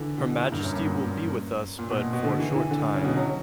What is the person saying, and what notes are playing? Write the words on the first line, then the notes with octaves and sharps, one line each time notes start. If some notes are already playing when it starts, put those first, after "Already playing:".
Her majesty will be with us but for a short time.
Already playing: D3 E3
B2
A#2
G2
F#2
G2
A#2
G2
A#2
A#2
B2
A#2
B2
D3
E3
E3
D3
C#3
B2
F#3